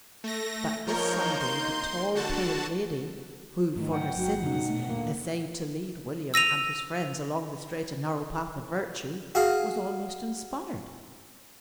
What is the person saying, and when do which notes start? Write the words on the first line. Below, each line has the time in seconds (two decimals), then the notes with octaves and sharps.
But this Sunday the tall, pale lady who, for her sins, essayed to lead William and his friends along the straight and narrow path of virtue, was almost inspired.
0.24 A3 A#6
0.87 F3 A#3 D#4 A#4 C#5 G6
1.40 C6
2.15 D3 F#4 A5
3.76 G#2 D#3 F#3 A3
3.92 F#5 G5
4.16 G1 F#3
4.43 F#2 B2 D3 G3 D#4
4.68 A#2 A3
4.89 D2 A#2 D3 A#3
6.34 E6 A#6 D#7 F7
9.35 F#4 G#4 F5